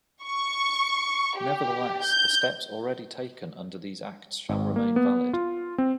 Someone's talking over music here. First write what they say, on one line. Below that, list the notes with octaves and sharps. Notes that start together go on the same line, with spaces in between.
Nevertheless, the steps already taken under these Acts shall remain valid.
C#6
G4
G6
G#1
A#3
B3
F4
C4